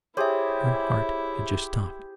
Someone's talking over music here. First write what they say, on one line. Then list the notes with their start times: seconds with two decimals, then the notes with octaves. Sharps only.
Her heart had just stopped.
0.17 E4 G4 G#4 C5 C#5 E5